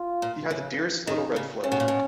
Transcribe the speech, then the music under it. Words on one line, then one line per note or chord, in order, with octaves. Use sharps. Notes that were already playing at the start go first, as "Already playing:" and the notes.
He had the dearest little red float.
Already playing: F4
A#2
C#3
D#3 D#4
C#3
C#3 C#4
B2
A#2
B2